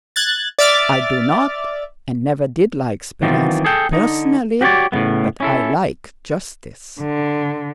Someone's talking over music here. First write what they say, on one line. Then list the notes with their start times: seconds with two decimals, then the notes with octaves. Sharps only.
"I do not, and never did, like Speranski personally, but I like justice!"
0.16 F#6 G#6 A6
0.59 D5 E5 D6 F6 A6
3.22 D#3 E3 F#3 B3 C4 F4
3.65 G#4 A4 G5
3.93 D3 D#4
4.61 F#4 G4 A#4 C#5 D5
4.92 A2 C#3 A3 B3
5.40 C#4 E4 A4
7.00 D3